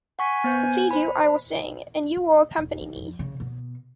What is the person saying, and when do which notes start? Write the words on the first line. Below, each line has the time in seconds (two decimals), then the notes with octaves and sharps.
To please you, I will sing, and you will accompany me.
0.19 F#5 G#5 C#6 B6
0.44 B3 C5 G6
0.91 C5 B5
2.58 E1
2.81 D#3
2.96 F2
3.19 C#3
3.40 B2